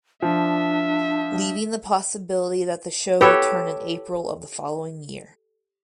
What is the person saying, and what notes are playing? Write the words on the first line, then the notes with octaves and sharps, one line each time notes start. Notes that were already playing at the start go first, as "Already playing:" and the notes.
Leaving the possibility that the show returned in April of the following year.
F3 D4 E5
G4 A4 B4 C#5